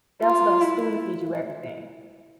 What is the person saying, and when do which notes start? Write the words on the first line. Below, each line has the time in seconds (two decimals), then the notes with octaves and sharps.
they also don't spoon feed you everything.
0.22 F4
0.61 E4